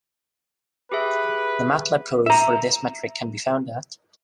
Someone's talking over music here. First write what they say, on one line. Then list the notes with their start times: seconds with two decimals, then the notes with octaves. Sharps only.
The Matlab code for this metric can be found at.
0.92 G4 G#4 B4 E5
2.26 E5 A#5